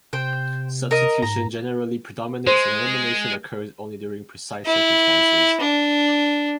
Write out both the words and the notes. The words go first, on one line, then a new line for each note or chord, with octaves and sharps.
Substitution generally predominates and elimination occurs only during precise circumstances.
C3 C5 G5
A#4 D#5
G#2 A#5
G#3 C5
E4
D4